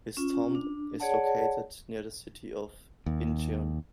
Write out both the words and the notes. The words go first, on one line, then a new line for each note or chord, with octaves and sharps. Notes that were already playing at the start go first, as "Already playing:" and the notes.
His tomb is located near the city of Incheon.
C#4 F4
D4
G#4 C#5 D5 F#5 A5
D#2